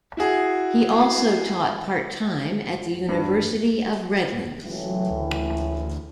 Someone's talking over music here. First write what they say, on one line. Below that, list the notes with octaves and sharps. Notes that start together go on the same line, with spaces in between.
He also taught part-time at the University of Redlands.
E4 F#4 G#4
G2
C#2 A2 E3 F#3
D2